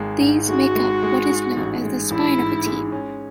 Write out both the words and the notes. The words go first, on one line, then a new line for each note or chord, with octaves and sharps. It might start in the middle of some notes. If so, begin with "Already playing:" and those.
These make up what is known as the "spine" of a team.
Already playing: G#1 G#3
G#2
G#3 F#4
G#3
G#3
G#2
A1
G#3
A1 E4
G#2
G#3
C#4